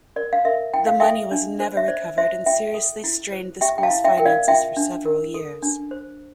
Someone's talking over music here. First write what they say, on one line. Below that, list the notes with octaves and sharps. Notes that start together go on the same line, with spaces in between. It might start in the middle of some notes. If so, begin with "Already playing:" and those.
The money was never recovered and seriously strained the schools finances for several years.
A#4 D5
F5
A#4 E5
E4 G5
F5
A4 E5 G5
D4
C5
E5
C5 D5
C5 E5
F4 E5 G5
A4
E4
C5
G4 E5 G5
G5
F5 A5
E4
E5 G5
A#4 G5
D5 F5
F4 E5 G5
D4
A#4
A4
D4
C5